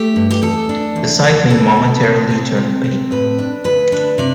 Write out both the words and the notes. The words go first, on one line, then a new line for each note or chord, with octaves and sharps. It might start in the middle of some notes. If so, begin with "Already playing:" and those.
The site may momentarily turn pale.
Already playing: A3 G4
G2
G4
E2 A4
D4
E2
E2
D2 A4
C4
C3
C4
C3
C4
A2 B4
D4
D2 B4
D4
C3 D5